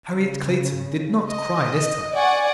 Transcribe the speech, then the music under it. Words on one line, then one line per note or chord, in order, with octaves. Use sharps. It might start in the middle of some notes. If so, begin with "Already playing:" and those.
Harriet Clayton did not cry this time.
C#3
D#5
D5 F#5 G#5 C#6